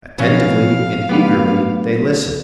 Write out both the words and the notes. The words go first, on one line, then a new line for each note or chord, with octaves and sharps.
Attentively and eagerly they listened.
B2 F3 F#3 C4 C#4 F5
F#3 A3 B3 D4 G4 B4